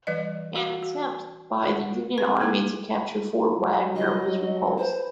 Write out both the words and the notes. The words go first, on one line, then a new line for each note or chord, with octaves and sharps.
An attempt by the Union Army to capture Fort Wagner was repulsed.
E3 G3 B4 D5 D#5
F#4 F5 F#5
F#4
G#3
C4 B4
A3 A#3 E4 A4 B4
F#3
D#5
B4 C5